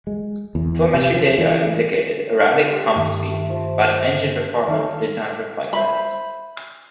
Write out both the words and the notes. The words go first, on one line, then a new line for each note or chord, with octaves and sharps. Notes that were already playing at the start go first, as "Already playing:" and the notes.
Telemetry data indicated erratic pump speeds, but engine performance did not reflect this.
G#3
E2
C3
F3
E3
G4 F5 C6
G2 D#3 A3
F3
D#3 A3 D#4 A4 C#5 F5
C5 E5 B5